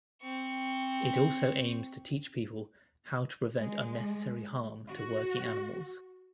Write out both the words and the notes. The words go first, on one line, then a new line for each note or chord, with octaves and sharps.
It also aims to teach people how to prevent unnecessary harm to working animals.
C4 C#6
G#3
F#4